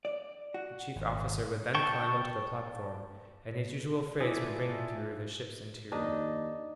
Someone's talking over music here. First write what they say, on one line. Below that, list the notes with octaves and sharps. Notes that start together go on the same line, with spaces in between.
The chief officer would then climb onto the platform, and his usual phrase would ring through the ship's interior.
D5
F#4
G#1
G5 A5 C#6
E3 E4 F4 G#4 A4 D5 E5
D#2 D4 D#4 D#5